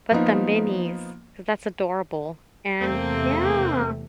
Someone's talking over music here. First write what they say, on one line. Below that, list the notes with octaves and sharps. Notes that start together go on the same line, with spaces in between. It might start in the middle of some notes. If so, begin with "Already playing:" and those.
But the minis, 'cause that's adorable, and Yeah.
F3 A#3 B3 D#4
E2 C3 A3 A#3 C4